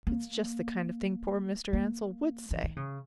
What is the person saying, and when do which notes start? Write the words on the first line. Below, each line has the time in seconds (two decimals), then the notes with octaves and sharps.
It's just the kind of thing poor Mr. Ansell would say.
0.07 A#3
1.73 A#3
2.51 E3
2.63 D#3
2.77 C#3